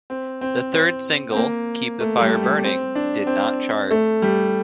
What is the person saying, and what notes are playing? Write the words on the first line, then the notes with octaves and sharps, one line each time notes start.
The third single "Keep The Fire Burning" did not chart.
C4
C4
C4
C4
A#3
A3
A3
G3
G3
C4
D4
C4
A3
G3